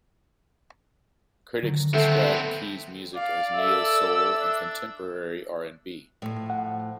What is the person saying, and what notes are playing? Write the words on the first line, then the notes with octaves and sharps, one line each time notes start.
Critics described Keys' music as neo soul and contemporary R and B.
D3 D#3 F#3
A3 B3 C4
D5 F5
A4 E5 E6
D4
A2 F3
F#5